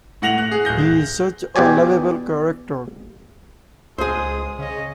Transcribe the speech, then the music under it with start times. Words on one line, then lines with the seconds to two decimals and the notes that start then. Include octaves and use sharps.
He's such a lovable character.
0.22 A2 F#5 A#6 F7 F#7
0.38 F#6
0.51 G#4
0.65 D1 F#6 G6 A#6
1.56 E2 B2 G4 D5 G#5
3.98 C#2 G#3 G#4 C5 D#6
4.59 C#3 C#4 D#5